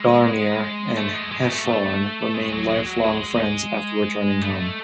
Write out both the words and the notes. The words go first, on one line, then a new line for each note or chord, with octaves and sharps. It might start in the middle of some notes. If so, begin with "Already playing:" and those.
Guarnere and Heffron remained lifelong friends after returning home.
Already playing: G#3
A3
G#3
G#3
A3
A3
G#3
F#3
G#3
F#3
G#3
A3